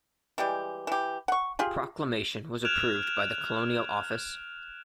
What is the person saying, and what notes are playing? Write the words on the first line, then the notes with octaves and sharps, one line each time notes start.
The proclamation was approved by the Colonial Office.
E3 G3 G#3 G4
E3 G4
F#5 C#6
F4 G4 G#4
F6 F#6 G#6 D7 E7 F7